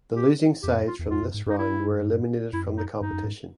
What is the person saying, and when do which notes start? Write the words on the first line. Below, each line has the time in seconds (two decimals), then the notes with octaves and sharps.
The losing sides from this round were eliminated from the competition.
0.15 G4
0.63 F2 G4
0.75 F#2
0.87 F4
0.99 E2
1.10 F2 F4
1.22 F#2
1.34 G#2
1.46 G2 D#4
1.58 E4
2.53 F#2 E4
2.77 D#4
3.00 G2 D#4
3.13 F#2
3.24 G#2